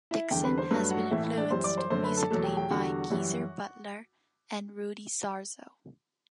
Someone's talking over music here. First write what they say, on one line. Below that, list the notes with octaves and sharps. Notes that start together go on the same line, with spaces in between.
Dixon has been influenced musically by Geezer Butler and Rudy Sarzo.
E4 E5
E2 D3 G3 G4 G5
B4 B5
C5 C6
G2 F#3 A3 B4 B5
F#4 F#5
A2 E3 A3 E4 E5
E4 E5
D4 D5
F#2 E3 G3 C5 C6
D5 D6
C5 C6
F#2 D3 A3 C5 C6
B4 B5
A4 A5
E2 B2 F#3 A3 A4 A5
G4 G5
G4 G5
E2 D3 G3 F#4 F#5
F#2 E3 G3